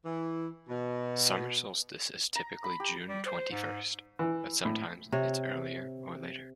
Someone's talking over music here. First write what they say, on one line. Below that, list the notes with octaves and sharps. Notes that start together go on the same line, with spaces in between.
Summer solstice is typically June twenty-first, but sometimes it's earlier or later.
E3
B2
A#5
B5
G4
G3
C5
G#2
E3
A2
C3 C#5